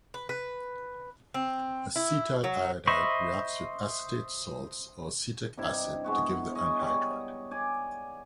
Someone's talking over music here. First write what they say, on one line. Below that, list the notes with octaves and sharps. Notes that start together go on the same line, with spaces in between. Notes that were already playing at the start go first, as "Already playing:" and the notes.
Acetyl iodide reacts with acetate salts or acetic acid to give the anhydride.
B4
B4
C4
E4
F#3
C5 D#5 E5 B5 C#6
G2 C3 D#4 E4
G#3 B3 F#4
C#5 D#5
G3 C#5
D5 G#5